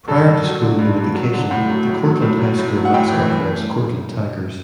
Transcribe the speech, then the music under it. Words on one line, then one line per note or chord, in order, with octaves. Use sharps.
Prior to school unification, the Courtland High School mascot was Courtland Tigers.
G2 A4
G2
F#3
D3
G2
G2
F#3
D3
A2 F#5
F#3
A2
F#3
A2
F#3
A2
F#3
F#5
A2 G5
E3
A2